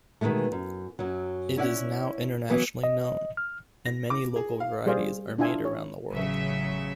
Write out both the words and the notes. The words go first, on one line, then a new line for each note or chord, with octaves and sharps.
It is now internationally known, and many local varieties are made around the world.
B2 D#3 E3 G#3 A3
F#2
F#2 F#3
C#4 E4 C#5 D5 F5 F#5
C#3 E3 F#3 B3 C#4
D#5
F6
A#6
D6
G#4
F5
G3 G#4 C5 D5 F5
D4 E4 F4 E5 G#5
C#5
A1 C#3 F#3 E5